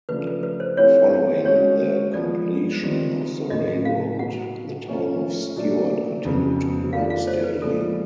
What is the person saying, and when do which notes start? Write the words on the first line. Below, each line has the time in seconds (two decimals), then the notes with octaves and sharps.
Following the completion of the railroad, the town of Stuart continued to grow steadily.
0.09 C#3 F3 A3 D4 B4
0.27 B4
0.43 B4
0.60 C5
0.77 A3 C4 E4 G4 C5 C#5
1.45 G#3 C#4 F#4 C#5
2.14 F3 G#3 B3 D5
2.83 D#3 G3 C4 F4
3.50 A2 F#3 A3 D#5
3.85 F5
4.19 B2 F#3 B3 F#5
4.88 A3 C#4 F4
5.56 A#2 F#3 A3 D4
6.25 F2 C#3 F#3 B3
6.93 A3 D4 F4 F5
7.10 F5
7.27 C5
7.44 B4
7.61 A#2 F3 G#3 B3 D4 A4